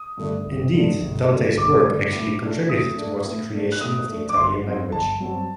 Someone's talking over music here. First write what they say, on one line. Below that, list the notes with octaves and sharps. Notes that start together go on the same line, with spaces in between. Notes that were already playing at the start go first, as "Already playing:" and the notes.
Indeed, Dante's work actually contributed towards the creation of the Italian language.
Already playing: D#6
G2 D3 A3 D4
G1
G2 D3 A3 D4
G1
G2 D3 A3 D4
G1 D6
G2 D3 A3 D4
A2
A3 D4
A2 D#6
A3 D4
A2
A3 D4
F#6
A2 D#6
A3 D4
D6
G1 C6
G2 F#3 C4
G1 A5
G2 F#3 C4